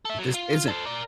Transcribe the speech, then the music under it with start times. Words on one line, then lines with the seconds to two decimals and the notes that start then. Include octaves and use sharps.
It just isn't.
0.05 A4 E5
0.19 D#2 F#3
0.34 F4
0.68 A4 C5
0.86 A#4 D5